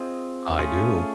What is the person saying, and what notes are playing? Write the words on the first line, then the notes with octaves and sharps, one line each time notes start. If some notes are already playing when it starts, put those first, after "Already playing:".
I do.
Already playing: C4 F4 G#4 C5 D#5
A3 C#4 F4 G#4